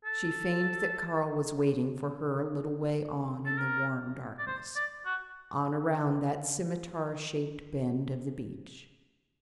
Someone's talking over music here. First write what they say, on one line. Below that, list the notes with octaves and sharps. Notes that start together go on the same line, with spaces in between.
She feigned that Karl was waiting for her a little way on in the warm darkness--on, around that scimitar-shaped bend of the beach.
A4
A4
A#4
D5
C5
D5
F#4